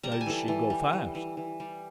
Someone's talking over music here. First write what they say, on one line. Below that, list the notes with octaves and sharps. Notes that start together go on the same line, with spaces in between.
"Does she go fast?"
G3 A#5
A5
G#5
E3 A4 A5
E3
G3
E3
E3
E3
G3